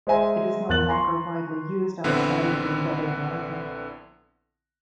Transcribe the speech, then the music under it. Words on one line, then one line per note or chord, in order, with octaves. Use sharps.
It is no longer widely used outside the embedded market.
G#3 C5 E5 G#5 A#5
E2 A#4 F#6 A6 F#7
G#5 A#5 C6 C#6
A#1 D3 B3 C4 E4